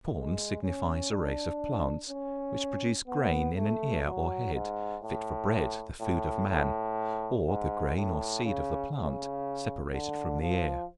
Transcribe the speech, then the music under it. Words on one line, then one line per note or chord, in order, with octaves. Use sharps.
Corn signifies a race of plants which produce grain in an ear or head, fit for bread, the food of man; or the grain or seed of the plant, separated from the ear.
G#3
C#4
D4
C#4
B3
A3
F#3
G#2
A2
A2
A2
G#2
A2
C#3
C#3
D3
F3